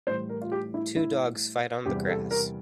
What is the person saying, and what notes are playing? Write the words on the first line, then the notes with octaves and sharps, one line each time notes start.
Two dogs fight on the grass.
A2 E3 G3 C5
A#4
F4
G4
E4
E4
E2 C3 G3 G4
A4
A#4